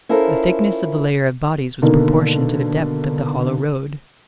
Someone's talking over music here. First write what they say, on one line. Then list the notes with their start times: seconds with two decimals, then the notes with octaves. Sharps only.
The thickness of the layer of bodies was proportioned to the depth of the hollow road.
0.09 C#4 E4 F4 A4 A#4 C5
1.82 B2 D3 D#3 A#3